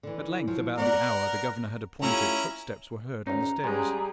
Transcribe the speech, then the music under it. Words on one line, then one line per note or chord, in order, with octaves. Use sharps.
At length, about the hour the governor had appointed, footsteps were heard on the stairs.
D3 E3
F3 F#3
B3 A#4 C#5 D5 F#5
A3 C#4 E4 F4 G4 A#5
G#1 E2 C#4 D#4 A#5
G#2 G3 G#3 G#4